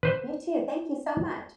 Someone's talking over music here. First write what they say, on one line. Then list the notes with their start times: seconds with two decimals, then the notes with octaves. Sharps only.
You too. Thank you so much.
0.03 B4 C5